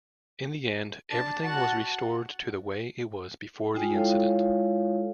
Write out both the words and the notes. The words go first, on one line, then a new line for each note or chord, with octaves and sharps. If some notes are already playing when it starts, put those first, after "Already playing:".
In the end, everything was restored to the way it was before the incident.
D4 A5
F#4 F#5 A5
G#3 D#4 F4 G5 G#5
G#3 E4 F4 A4 C#5 F5